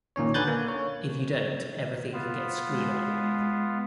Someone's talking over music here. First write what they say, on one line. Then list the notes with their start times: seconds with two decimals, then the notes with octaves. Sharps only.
If you don't, everything can get screwed up.
0.16 A#2 D#3 C#4 C#5
0.34 D3 B4 G#5 F#6 G6 A6
0.48 A#3
0.69 C#5
2.14 B3 F4
2.64 G#3